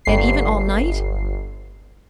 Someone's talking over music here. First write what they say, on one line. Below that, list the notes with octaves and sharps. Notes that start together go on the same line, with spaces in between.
"And even all night?"
G1 C7